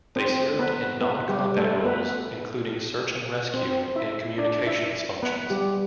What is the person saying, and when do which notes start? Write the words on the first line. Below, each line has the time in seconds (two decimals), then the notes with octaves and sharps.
They served in non-combat roles, including search and rescue and communications functions.
0.16 C4 C5
0.59 B3 B4
1.01 B3 B4
1.29 G3 G4
1.57 A3 A4
1.85 B3 B4
3.54 C4 C5
3.96 E4 E5
4.38 D4 D5
4.67 E4 E5
5.22 B3 B4
5.50 G3 G4